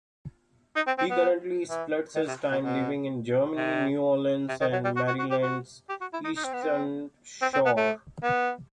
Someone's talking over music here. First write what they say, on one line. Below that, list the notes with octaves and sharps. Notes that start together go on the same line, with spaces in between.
He currently splits his time living in Germany, New Orleans, and Maryland's Eastern Shore.
D#4
C4
C4
B3
E3
D#3
C3
B2
B2
C3
C3
D#3
F#3
G3
F#4
F#4
F#4
G4
F#4
G4
F#4
E4
D#4
D#4
C4
B3
C4
C4
C4
B3
A3
B3